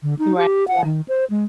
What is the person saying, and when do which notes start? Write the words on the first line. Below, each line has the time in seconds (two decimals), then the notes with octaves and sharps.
Right, yeah.
0.03 D3
0.19 D#4
0.37 G4
0.68 F#5
0.85 D#3
1.08 C5
1.30 G#3